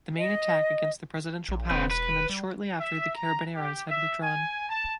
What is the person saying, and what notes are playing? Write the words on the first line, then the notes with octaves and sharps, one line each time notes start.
The main attack against the presidential palace commenced shortly after the carabineros had withdrawn.
D#5
A#1
E1 C4 B4
B4
G3
E5
A#5
G4
E5
G#5
A5